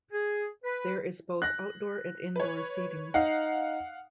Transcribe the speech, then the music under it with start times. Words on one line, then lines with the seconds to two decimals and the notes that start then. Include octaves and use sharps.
There is both outdoor and indoor seating.
0.12 G#4
0.63 B4
1.42 F#6 A#6
2.36 B4 C#5
3.14 D#4 F5 F#5